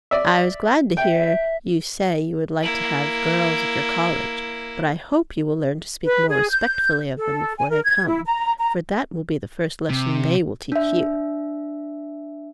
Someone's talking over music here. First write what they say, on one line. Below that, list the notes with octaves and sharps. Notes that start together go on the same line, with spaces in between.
'I was glad to hear you say you would like to have girls at your college; but I hope you will learn to speak more respectfully of them before they come; for that will be the first lesson they will teach you.'
D5 E5
E5 G5
A#3 E4
B4
G#4
G6
A4
G#5
A#4
G#6
E4
A#5
A#5
C3
D4 E5